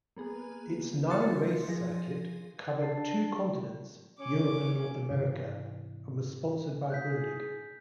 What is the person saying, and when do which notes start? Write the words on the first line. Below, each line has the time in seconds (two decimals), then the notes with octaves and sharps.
Its nine-race circuit covered two continents-Europe and North America-and was sponsored by Grundig.
0.16 A#3 B3 G#4
1.07 E4 F#4 C6 A6 C#7
1.68 F3 G#4 A#6
2.82 D4 D5 A5 A6 C7
4.20 C#4 D6
5.10 G#2 C3 E3
6.90 G#4 F#6 G6 B6